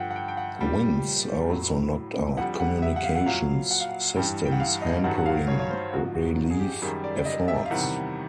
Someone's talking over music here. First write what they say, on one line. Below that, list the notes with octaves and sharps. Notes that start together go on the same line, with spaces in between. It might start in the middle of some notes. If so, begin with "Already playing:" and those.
Winds also knocked out communications systems, hampering relief efforts.
Already playing: G2 D3 F3 F#5 G5
F#5
G5
G5
F#5
A#2 G3 G5
A2 F#3
F2 D3 G3 F#5
F#5
E5
F#5
F5
F#5
A#2 F#3 F5
F#5
F5
F#5
G2 E3 G3 G5
G5
F#5
F5
D#5
G2 D#3 F#3 F#5
F#5
F5
C#5
C#5
C5
G#2 F3 F#4
F#4
G#4
G4
F#2 D#3 G3 G#4
D5
D5
D#5
E5
F5
E2 C3 D#3 G3 F#5